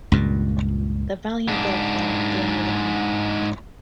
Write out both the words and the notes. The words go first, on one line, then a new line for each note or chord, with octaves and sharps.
The Valiant Doll film Do I Love You?
C#2 G2 A#2
G#2 D4